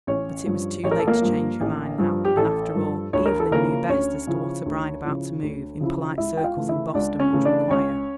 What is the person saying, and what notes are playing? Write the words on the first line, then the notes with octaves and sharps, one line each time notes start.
But it was too late to change her mind now; and, after all, Evelyn knew best as to what a bride about to move in polite circles in Boston would require.
A1 C#4 C#5
G2 F3
A1 C#5
A#4
A4
A#3 A#4
G2 F3
A1
G2 F3
G4
A1 A4
G2 F3
D2 C#5
A#4
A4
C#3 F3 A#3 C#4 E4 A#4
D2 C#4 C#5
C#3 F3 C#4 E4
D2
C#3 F3 C#4 E4
D2
C#3 F3 C#4 E4
C#2 E4 E5
G5
F4 F5
C#3 E3 A3
E4 E5
C#2 D4 D5
C#4 C#5
C#3 E3 A3
D4 D5
C#2 C#4 C#5